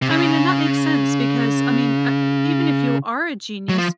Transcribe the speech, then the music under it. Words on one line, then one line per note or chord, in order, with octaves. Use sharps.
I mean and that makes sense because, I mean, a even if you are a genius,
C3
C#3
F#3
F3